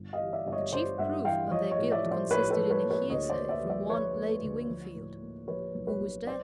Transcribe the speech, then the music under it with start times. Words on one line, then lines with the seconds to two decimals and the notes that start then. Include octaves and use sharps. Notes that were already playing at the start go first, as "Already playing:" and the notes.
The chief proof of their guilt consisted in a hearsay from one Lady Wingfield, who was dead.
Already playing: G1
0.13 D#5 F5
0.20 E3
0.33 D5 E5
0.46 G1 D5
0.52 C#5 D#5
0.72 G1 C5 D5
0.98 G2 E5 F#5
1.25 E3 F5 G5
1.51 F3 C#5 D#5
1.71 C#5 D#5
1.78 A2
1.91 D5 E5
2.04 F3
2.11 C5 D5
2.31 A2 B4 C#5
2.51 A4 B4
2.57 F3
2.70 B4 C#5
2.84 A#3
2.90 B4 C#5
3.10 D2 C#5 D#5
3.30 C5 D5
3.36 A#3
3.49 D5 E5
3.63 F3
3.69 D5 E5
3.89 F3 B4 C#5
4.16 A#3
4.43 D2
4.68 F3
4.95 A2
5.22 A#3
5.48 F3 B4 C#5
5.74 B1
5.87 B4 C#5
6.00 B1
6.27 C5 D5